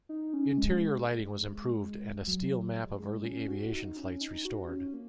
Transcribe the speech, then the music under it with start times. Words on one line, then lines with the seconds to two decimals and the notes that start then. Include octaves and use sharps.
Interior lighting was improved and a steel map of early aviation flights restored.
0.09 D#4
0.34 C#4
0.58 G#3
2.27 F#3
2.52 F#3
2.76 G#3
2.99 G#3
3.24 C#4
3.48 F#4
3.73 D#4
3.97 C#4
4.21 D#4
4.45 F#4
4.69 C#4
4.94 A#3